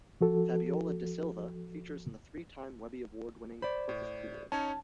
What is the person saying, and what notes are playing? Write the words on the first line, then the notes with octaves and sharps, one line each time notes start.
Fabiola da Silva features in the three-time Webby Award-winning Book of Cool.
F3 F#4 A4
C5 D5 B5
A2
C#4 D#4 C#5 A5